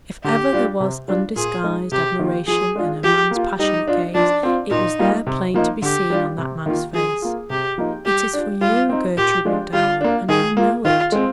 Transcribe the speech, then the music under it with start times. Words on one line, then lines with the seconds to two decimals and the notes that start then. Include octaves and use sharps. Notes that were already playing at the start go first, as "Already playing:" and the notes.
If ever there was undisguised admiration in a man's passionate gaze it was there plain to be seen on that man's face. It is for you, Gertrude MacDowell, and you know it.
0.24 D3 G4
0.52 G3 D4 F4
0.80 C3
1.08 G3 D4 F4
1.36 A#2 G#4
1.64 G#3 D#4
1.92 C3 G4
2.19 D#3 A#3 F4
2.48 F3 G#4
2.76 G#3 D4 F4
3.04 F3 G4
3.31 A#3 F4
3.59 G3 D#4
3.88 D4 F4
4.14 F3 D4
4.43 C4 F4
4.71 A#2 D#4
4.99 G3 A#3 F4
5.27 C3
5.54 F3 A#3 D#4
5.82 D3 G4
6.10 G3 D4 F4
6.38 C3
6.66 D#3 A#3 F4
6.94 F3 G#4
7.22 A#3 F4
7.50 C3 G4
7.78 F3 A#3 D#4
8.05 G3 G4
8.34 D4 F4
8.61 G3 F4
8.89 C4 D#4
9.17 A#2 G4
9.45 F3 G#3 D4 F4
9.73 G3 F4
10.01 A#3 D4
10.29 D#3 G#4
10.57 A#3 F4
10.85 D#3 F4
11.12 G#3 C4